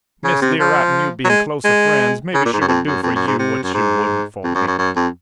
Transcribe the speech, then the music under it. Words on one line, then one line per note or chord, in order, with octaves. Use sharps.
Miss Learight and you being closer friends, maybe she would do for you what she wouldn't for me.
C#3
C3
F3
F#3
G#3
G#3
C#3
A#2
G#2
F#2
F2
F#2
F2
F#2
G#2
C3
F#2
G#2
F2
F#2
F#2
F#2
F2